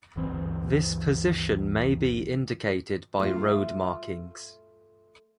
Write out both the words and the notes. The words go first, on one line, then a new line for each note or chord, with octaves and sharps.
This position may be indicated by road markings.
G1 D2 E3 C4
A3 F4